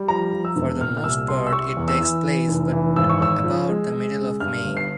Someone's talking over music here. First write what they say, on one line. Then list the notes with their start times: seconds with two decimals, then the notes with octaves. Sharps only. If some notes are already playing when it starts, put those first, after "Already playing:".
For the most part it takes place about the middle of May.
Already playing: G3
0.08 F3 A#5
0.33 F3
0.45 E6
0.56 E1
0.81 A#2 F6
0.97 F6
1.04 C2 E6
1.28 C2 C6
1.47 E6
1.52 G3 C#6
1.77 E2
1.88 E6
2.01 E3
2.25 E3
2.48 F1
2.72 E3
2.96 G#1 E6
3.09 C#6
3.20 G#1 E6
3.44 F3
3.68 G#3
3.92 G#3
4.17 C#3
4.40 G2 F6
4.64 G1
4.77 C7